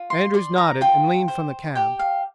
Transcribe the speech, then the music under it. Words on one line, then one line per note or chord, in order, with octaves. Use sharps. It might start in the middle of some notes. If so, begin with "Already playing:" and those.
Andrews nodded and leaned from the cab.
Already playing: F4
C6
D5 C6
A#5
F4 G5
C5
G4 G5
F5